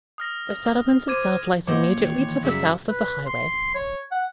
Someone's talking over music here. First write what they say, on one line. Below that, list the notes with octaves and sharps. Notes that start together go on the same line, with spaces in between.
The settlement itself lies immediately to the south of the highway.
D#6 F6 A#6
C5 D6 G#6 D#7
A#2 C5 C#5 D#5 F#5 D6
D#3 E3
F#2 C#3 F#3 G3 E5
B4
C6
C#5
F#5